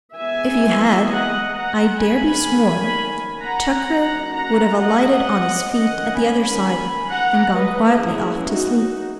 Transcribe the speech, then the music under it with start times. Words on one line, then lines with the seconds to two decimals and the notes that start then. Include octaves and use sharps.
If you had, I dare be sworn, Tucker would have alighted on his feet at the other side, and gone quietly off to sleep.
0.16 E3 G#3 B3 E5 G#5
1.09 D#5 F#5
1.55 F#5 A#5
2.02 D#3 A#3 C#4 G#5 B5
3.41 F#5 A#5
3.87 F#3 A#3 C#4
4.33 F#5 A#5
4.80 D#5 F#5
5.72 D#3 G#3 C#4 D#5 F#5
6.19 G#5 B5
7.12 F#5 A#5
7.57 E3 G#3 C#4 B4 D#5
8.04 E4 G#4
8.51 D#4 F#4